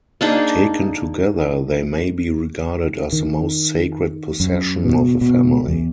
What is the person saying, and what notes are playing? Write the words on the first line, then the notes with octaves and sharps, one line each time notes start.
Taken together, they may be regarded as the most sacred possession of a family.
A#3 D4 D#4 G#4
D#3
F#2
B2
B2
E2